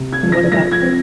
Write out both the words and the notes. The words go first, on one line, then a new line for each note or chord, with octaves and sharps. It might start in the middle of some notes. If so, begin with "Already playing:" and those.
what about you?
Already playing: C3
G#6
F3
A#6
F3 A#6
G#6
C4